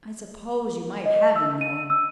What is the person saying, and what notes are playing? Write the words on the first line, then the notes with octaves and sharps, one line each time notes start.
I suppose you might have him, though.
D#5
A5
E6
D#7
E6